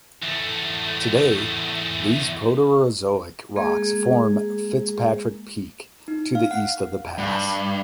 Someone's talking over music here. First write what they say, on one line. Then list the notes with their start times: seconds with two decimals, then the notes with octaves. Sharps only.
Today these Proterozoic rocks form Fitzpatrick Peak to the east of the pass.
0.23 E2 A3
3.56 G#3 A#3 G#4
6.08 D#4
6.35 F5
6.51 F#5
7.18 G2